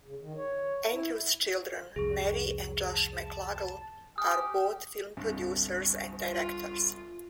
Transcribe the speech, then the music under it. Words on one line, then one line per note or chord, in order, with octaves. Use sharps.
Andrew's children, Mary and Josh McLaglen, are both film producers and directors.
C#3
D#3
C#5
E4
C2 F2 G#4 C#6
A5
G4 G#5 D#6 F6
G1 C2 G2
F4